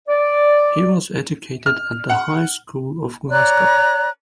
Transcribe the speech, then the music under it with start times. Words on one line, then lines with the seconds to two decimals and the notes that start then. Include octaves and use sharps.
He was educated at the High School of Glasgow.
0.08 D5
1.66 F6
2.10 F#5
3.30 C#5 D5 A#5 F#6